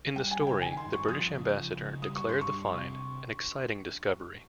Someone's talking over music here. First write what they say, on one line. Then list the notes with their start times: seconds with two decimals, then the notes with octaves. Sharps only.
In the story, the British Ambassador declared the find "an exciting discovery".
0.16 G3 G5
0.31 G#5
0.39 C#3
0.47 G5
0.62 D#3 G#5
0.77 C6
0.86 G2
0.93 C#6
1.08 F3 D#6
1.32 C#3
1.55 F3
1.79 C#3
2.02 G3 D#6
2.16 C#6
2.25 G2 C6
2.41 C#6
2.48 G3
2.73 C3